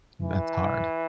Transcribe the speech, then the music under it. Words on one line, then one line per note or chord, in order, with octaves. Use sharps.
That's hard.
E3